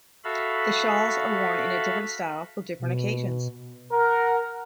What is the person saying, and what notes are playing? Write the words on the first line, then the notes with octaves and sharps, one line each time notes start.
The shawls are worn in a different style for different occasions.
F#4 A4 E5 F5 B5
B2
A#4 F#5